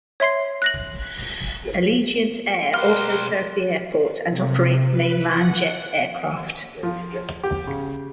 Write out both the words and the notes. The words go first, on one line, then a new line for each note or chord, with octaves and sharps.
Allegiant Air also serves the airport and operates mainline jet aircraft.
C#5 E5 C6 C7
F#6 A#6 F#7
B1 G4 A#4 B4 C6 F6
C3
B4
F#5
F3
G4
C#3